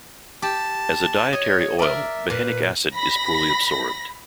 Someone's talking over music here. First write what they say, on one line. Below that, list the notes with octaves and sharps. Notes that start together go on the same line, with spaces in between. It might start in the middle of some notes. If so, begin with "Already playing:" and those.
As a dietary oil, behenic acid is poorly absorbed.
G4 A5
C#5 D#5
A#4 D5 E5
A#2 B4
B5 A#6